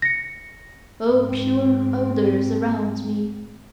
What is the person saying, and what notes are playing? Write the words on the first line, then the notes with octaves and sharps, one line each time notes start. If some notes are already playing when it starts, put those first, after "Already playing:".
O pure odours around me!
A#6 C#7
G#2 C4